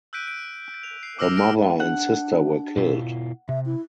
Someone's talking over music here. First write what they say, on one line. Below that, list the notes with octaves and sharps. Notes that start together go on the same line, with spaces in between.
Her mother and sister were killed.
E6 F#6 G6 B6 D7 D#7
D7
F7
C7
D6 E6 F6 A#6 F7
F6 A#6 D7
D4 F#5
B2 E4 F4
C3 E5
E4